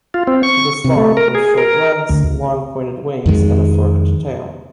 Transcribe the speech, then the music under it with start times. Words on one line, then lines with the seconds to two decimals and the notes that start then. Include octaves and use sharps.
It is long, with short legs, long pointed wings and a forked tail.
0.14 F4
0.27 C4
0.43 C#6
0.85 C3
0.97 A3
1.17 A#4
1.35 G#4
1.58 A#4
2.09 D2
3.26 F2 D#3 G#3